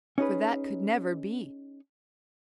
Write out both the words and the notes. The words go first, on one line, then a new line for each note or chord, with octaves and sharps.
For that could never be.
C#4 D#4 G#4 B4